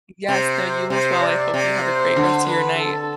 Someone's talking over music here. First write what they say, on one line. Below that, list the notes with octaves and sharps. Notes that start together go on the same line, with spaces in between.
Y yes, no, you as well, I hope you have a great rest of your night.
C3 C5
C3 C5
D5
C3
C5
D3
B4
A4